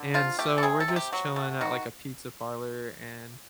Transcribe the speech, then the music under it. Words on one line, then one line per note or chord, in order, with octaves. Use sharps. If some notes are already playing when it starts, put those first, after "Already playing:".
and so we're just chilling at, like, a pizza parlor and,
Already playing: D3
F3 F4
A3 G4
A4
C3 G#4
A4
C3
G4
F#3 F#4
A3
D#3 F#4